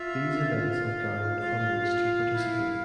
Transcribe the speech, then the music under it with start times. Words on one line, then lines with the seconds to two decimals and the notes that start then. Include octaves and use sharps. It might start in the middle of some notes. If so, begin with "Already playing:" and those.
These events have garnered hundreds to participate.
Already playing: F4 E5
0.50 F5
1.41 F4
2.33 E4